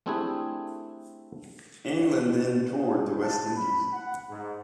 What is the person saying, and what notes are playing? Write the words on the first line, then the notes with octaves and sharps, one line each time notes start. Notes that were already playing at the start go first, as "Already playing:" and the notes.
England then toured the West Indies.
A3 C4 D4 E4 G4 G#4
G#4
A5
B5
F#5
G#2